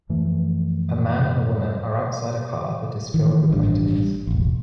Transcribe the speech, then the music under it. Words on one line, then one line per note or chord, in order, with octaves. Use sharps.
A man and a woman are outside a car that is filled with items.
F#2 E3 F3 A3
D#3 E3
A1 G2
E1 A1